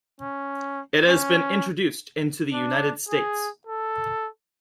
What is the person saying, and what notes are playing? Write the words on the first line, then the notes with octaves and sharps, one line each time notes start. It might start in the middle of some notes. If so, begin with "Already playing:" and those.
It has been introduced into the United States.
C#4
C#4
D4
G#4
A4